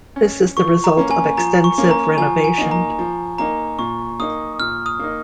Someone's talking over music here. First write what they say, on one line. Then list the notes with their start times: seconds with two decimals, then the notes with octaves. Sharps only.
This is the result of extensive renovation.
0.16 C#4
0.57 F3 C#6
0.84 A#5
0.97 A#3 C#4
1.11 G#5
1.37 F3 A#5
1.64 C#6
1.78 A#3 C#4
1.91 A#5
2.18 F3 G#5
2.44 G#5
2.58 A#3 D#4
2.71 A#5
2.99 F3
3.38 A#3 D#4 A#5
3.79 A#2 C#6
4.19 A#3 D#4 D#6
4.59 A#2 F6
4.86 D#6
4.99 A#3 D#4